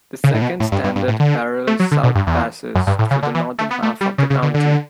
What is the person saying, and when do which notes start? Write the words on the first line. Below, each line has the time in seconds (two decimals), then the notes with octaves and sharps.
The second standard parallel south passes through the northern half of the county.
0.24 C#3
0.34 A2
0.42 B2
0.60 A2
0.72 G2
0.84 G2
0.96 G2
1.08 A2
1.20 D3
1.67 A3
1.79 F#3
1.91 D3
2.03 B2
2.15 G2
2.27 E2
2.75 F#2
2.87 G2
2.99 A2
3.11 C#3
3.23 D3
3.34 E3
3.59 A3
3.71 B3
3.82 A3
4.01 G3
4.18 C#3
4.30 C#3
4.42 D3
4.54 D3